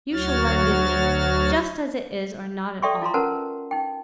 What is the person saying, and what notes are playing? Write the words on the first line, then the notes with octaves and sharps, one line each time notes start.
You shall lend it me just as it is or not at all.
D2 F#3 F#4 C#5 F6 A6
A4 D5 E5 G5 C6 C#6
E4 F4 A#5 C6
C#4 A#4 B4 F#5 A5 C6
D#4 G5